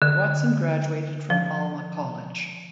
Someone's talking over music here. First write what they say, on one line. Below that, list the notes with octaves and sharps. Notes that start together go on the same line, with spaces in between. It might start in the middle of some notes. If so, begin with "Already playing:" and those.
Watson graduated from Alma College.
D3
F3